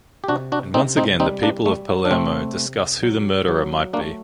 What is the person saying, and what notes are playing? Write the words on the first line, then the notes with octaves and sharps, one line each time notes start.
And once again the people of Palermo discuss who the murderer might be.
G4
C3 D4 F#4
D4 F#4
C3 C4 D#4
C4 D#4
G3 C4 D#4
A#3 D4
G3 A3
D4
C3 A3 C4
C3
F#3
F#3
A3 A#3 D4